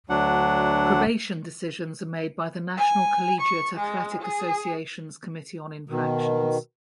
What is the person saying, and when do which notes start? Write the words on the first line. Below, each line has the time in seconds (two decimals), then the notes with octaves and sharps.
Probation decisions are made by the National Collegiate Athletic Association's Committee on Infractions.
0.10 D2 F#3 D4 F#5
2.77 G#5
3.40 C#6
3.75 G#3
4.21 G#4
5.89 B2 D#3